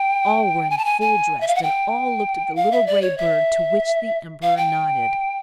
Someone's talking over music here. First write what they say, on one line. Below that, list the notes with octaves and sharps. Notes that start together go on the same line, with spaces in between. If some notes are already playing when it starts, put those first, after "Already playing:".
All were in full dress, and all looked at the little gray bird, to which the Emperor nodded.
Already playing: G5
G#5
A5
G#5
G#5
E5
F5
F#5
G5
F5
E5
D5
C#5
E5
F5
G5